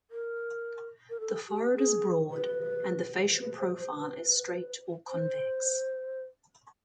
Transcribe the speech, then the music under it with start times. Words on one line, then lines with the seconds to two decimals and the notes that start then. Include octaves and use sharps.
The forehead is broad, and the facial profile is straight or convex.
0.11 A#4
1.10 A#4
1.20 A4
1.49 G4
1.75 G#4
2.31 B4
3.37 C5
3.41 B4
3.59 C5
3.78 C5
3.96 B4
5.07 C5